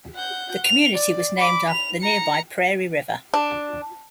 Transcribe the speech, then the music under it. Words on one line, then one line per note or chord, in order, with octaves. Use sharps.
The community was named after the nearby Prairie River.
F#5 G6
F7
D5
B5 D6
F7
A#5 C#7
D4